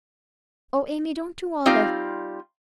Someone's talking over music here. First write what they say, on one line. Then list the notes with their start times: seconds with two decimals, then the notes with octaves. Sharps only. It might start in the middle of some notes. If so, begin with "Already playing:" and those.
'O Amy, don't do all this.
1.66 G3 C4 D#4 F4 D5 F5